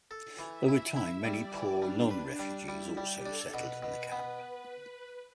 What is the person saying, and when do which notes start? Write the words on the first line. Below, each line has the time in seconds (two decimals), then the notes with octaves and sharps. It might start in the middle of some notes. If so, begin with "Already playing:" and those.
Over time many poor non-refugees also settled in the camp.
0.11 A4
0.39 E3
0.53 E5
0.68 E4
0.96 E4 E5
1.24 G3
1.39 D5
1.54 E3
1.82 G3 D4
2.11 B4
2.39 G3
2.68 G3 E4
2.97 G3 G4
3.26 D4 A4
3.54 B2 B4
3.83 B2
4.12 B3